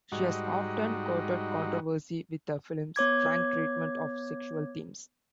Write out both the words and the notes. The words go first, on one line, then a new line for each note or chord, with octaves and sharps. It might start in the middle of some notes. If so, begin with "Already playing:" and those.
She has often courted controversy with her films' frank treatment of sexual themes.
G#2 G3 D#4 F#4
B3 C#5 D6 G#6